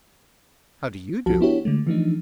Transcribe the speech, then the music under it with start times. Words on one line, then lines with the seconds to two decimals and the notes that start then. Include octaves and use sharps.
"How do you do?"
1.26 C2 F3 F#4 A5
1.41 B3 D4 E4 F#4 G4 C#5
1.65 D3 G#3 A3
1.87 E3 F3 A3 D4 D#4